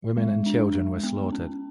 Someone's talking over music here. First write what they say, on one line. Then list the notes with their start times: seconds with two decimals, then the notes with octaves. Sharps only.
Women and children were slaughtered.
0.17 G#3
0.46 D4
0.74 G#3
1.04 B3
1.33 C#4